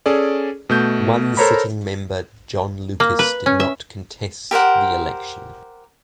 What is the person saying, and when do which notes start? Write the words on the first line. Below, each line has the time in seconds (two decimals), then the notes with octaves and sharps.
One sitting member John Lucas did not contest the election.
0.06 C#4 G#4 A4 D5
0.69 B2 A3 G6
1.37 A4 A#4 C5 C#5 A#5 B5
3.00 A#3
3.19 B4
3.46 C#4
3.60 E5
4.51 G4 A#4 C5 F#5